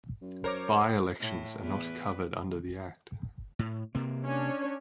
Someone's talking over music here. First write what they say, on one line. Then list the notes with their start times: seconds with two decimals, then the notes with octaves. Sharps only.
By-elections are not covered under the act.
0.22 F#2
0.44 A#4 C5 C#5 D6
1.20 A2
1.60 E2 B4
3.59 A2
3.95 C3 A#3
4.26 C#4 D4 C#5